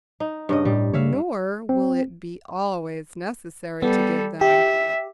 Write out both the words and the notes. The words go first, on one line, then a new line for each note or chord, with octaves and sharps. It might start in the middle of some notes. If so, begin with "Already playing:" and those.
Nor will it be always necessary to give them.
D#4
G2 C#3 D#5
A2 G3
C#3 C#5 E5 F5
C4
G3 B3 A4
G4 E5